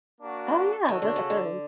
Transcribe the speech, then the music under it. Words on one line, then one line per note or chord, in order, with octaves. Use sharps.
Oh, yeah. Those are good.
A#3 D4 F#4
D#3 F#4 A4 C#5
D3
C#3
D3